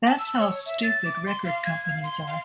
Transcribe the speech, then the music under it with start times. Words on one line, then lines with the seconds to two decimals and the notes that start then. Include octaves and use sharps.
That's how stupid record companies are.
0.06 A5
0.19 E6
0.40 C#5
0.66 E5
0.83 A6
1.05 D6
1.27 C6
1.44 F5
1.65 G#6
1.88 F5
2.04 C6
2.28 F5